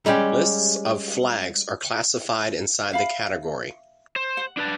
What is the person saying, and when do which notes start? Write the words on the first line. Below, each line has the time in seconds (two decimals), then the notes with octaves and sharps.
Lists of Flags are classified inside the category.
0.06 G3 G#3 C#4 G4
2.91 E5 F5 B5
4.16 C5
4.37 F#5
4.57 D4 B4 A5